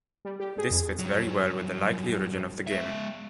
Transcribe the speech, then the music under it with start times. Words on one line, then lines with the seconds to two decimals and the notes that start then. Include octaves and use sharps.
This fits very well with the likely origin of the game.
0.25 G3
0.40 G4
0.58 G#4
0.71 F2
0.99 G2 F#3
2.67 G#3 E5